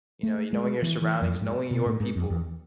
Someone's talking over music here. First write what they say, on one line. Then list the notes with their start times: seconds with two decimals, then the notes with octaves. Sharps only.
you know, y knowing your surroundings, knowing your people,
0.23 A3
0.53 G#3
0.82 E3
1.02 E3
1.21 F2
1.41 G#2
1.71 B2
1.86 A2
2.00 G#2
2.16 F2
2.30 E2